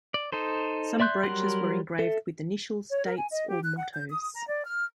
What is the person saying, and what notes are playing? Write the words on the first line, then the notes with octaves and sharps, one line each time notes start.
Some brooches were engraved with initials, dates or mottoes.
D5
D#4 A4 C5
D5 E5 C6 F#6 G6
F#3 G3 A#4 F#5 C6
A4 E5
C#5
A#4
G#5
D#5
G4
F#6
F#5
G6
D#6
A#5
D5
F6